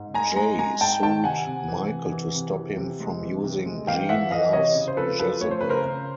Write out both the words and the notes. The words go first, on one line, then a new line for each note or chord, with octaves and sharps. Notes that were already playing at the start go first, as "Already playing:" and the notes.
Jay sued Michael to stop him from using Gene Loves Jezebel.
Already playing: G#2
G#3 G#5 A#5
G#3 G#5 A#5
G#3 G#5 A#5
G#2 G5 A5
D#3 G5 A5
C3 F#5 G#5
C3
E3
C3
E3
C3
E3
C3
G#3
E3
C3
G#3
E3 F5 G5
E3 E5 F#5
E3 D#5 F5
C3 C#5 D#5
C#3
C5
F3 A4 B4
F3 A4 B4
A3 C#5
C5
C#3 B4
A#4 C5
C#3